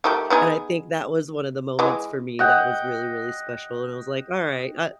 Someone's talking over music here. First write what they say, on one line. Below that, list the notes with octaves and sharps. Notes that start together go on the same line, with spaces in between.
and I think that was one of the moments for me that was really, really special, and I was like, "Alright, I
D#3 A3 G4
B3 D#4 G#4
E3 G#3
D#5 F#5 G5